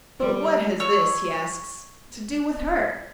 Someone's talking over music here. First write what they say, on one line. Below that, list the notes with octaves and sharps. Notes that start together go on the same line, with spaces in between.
"But what has this," he asks, "to do with her?"
G3
C#5 C#6 E6